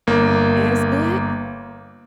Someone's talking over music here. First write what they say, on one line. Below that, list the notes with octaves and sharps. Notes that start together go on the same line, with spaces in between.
as good,
G1 A#3